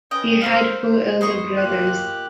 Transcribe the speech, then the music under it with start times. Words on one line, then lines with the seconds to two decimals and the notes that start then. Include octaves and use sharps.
He had four elder brothers.
0.11 C#4 B4 D#5 G5
0.41 A#4 C5 E5 F5
0.80 C5
1.21 B3 C5 D#5 C#6
1.57 A#3 F4 G4 F#6